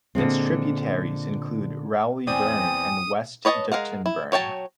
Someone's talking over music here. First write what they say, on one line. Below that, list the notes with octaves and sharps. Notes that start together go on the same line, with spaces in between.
Its tributaries include Rowley Burn and West Dipton Burn.
A#2 D3 G#3 C4
E2 C4 D5 G5 G#5 D#6
B4 C#5 D#5 G#5 A5
G#3 G#4 A#4 F5 F#5
E4
F#3 C#5 G5 A5